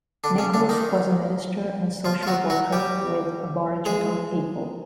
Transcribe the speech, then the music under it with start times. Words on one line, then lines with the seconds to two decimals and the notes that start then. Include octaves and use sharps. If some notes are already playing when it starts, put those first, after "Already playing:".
Nicholls was a minister and social worker with Aboriginal people.
0.24 D3 D4
0.38 C#3 C#4
0.54 D3 D4
0.69 D#3 D#4
2.05 F3 F4
2.23 F4
2.27 F#3 F#4
2.50 F#3 F#4
2.73 G3 G4
3.85 G#3 G#4